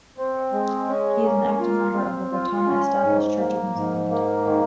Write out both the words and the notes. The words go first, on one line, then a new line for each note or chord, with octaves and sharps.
He is an active member of the Ratana Established Church of New Zealand.
C4
G#3
C#4
A#3
F4
C4
F4
C#4
G#2
A#3
G#2
A#3
D#3